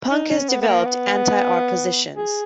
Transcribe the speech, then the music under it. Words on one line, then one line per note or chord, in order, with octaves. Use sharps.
Punk has developed anti-art positions.
D#4
C#4
B3
B3
A#3
B3
G#4